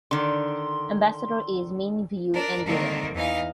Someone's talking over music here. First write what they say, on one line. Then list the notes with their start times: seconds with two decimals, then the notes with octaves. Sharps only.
Ambassador is Minh Vu Nguyen.
0.11 D3 D#3 C6
2.33 D4 A#4 D5
2.65 D3 D#3 A#3 C4 D4 A#4
3.13 E2 E3 D#4 D#5 F5